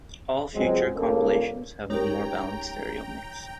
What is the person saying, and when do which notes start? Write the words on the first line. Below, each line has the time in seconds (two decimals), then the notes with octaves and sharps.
All future compilations have a more balanced stereo mix.
0.54 C#2 F#3 G#3 C4 G#4
0.96 C#2 G2 C#3 A#3 A4
1.90 G#3 C#4 D#4 G4 A#4 C#5 G5 A#5